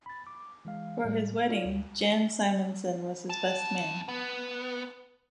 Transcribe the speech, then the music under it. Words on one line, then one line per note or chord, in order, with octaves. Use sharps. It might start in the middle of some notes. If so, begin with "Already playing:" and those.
For his wedding, Jan Simonsen was his best man.
B5 A6
D6
E3 G#3 F5
A2 G3 G#3
D#4 F4 F#4 A4 D5 F5
D2
F2 A5
B3